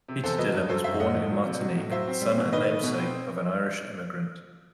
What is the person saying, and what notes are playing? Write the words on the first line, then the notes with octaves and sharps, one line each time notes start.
Peter Dillon was born in Martinique, the son and namesake of an Irish immigrant.
C3
E2 A4 C5
F#3 B4 D#5
G2
F#3 A4 C5
F#2 C5 E5
G3 D#5 F#5
A2
F#3
C3
F#3
A2
F#3 C5 E5
C4
G3
B2
D#3 B4 D#5
A3
B2
C4